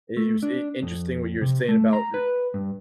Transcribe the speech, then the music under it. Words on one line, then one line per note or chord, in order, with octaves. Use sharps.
It it was i interesting what you were saying about,
A3
D4
F2
C3
A3
A#5
B4
G2